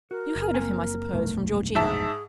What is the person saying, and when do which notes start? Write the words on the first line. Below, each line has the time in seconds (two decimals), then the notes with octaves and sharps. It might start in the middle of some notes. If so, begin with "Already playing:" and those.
You heard of him, I suppose, from Georgina.
0.11 F#4 A#4
0.36 F#1
0.54 A#3 C4 G#5
1.13 F1 B1 G2 A3
1.75 G#2 G#4 E5 A5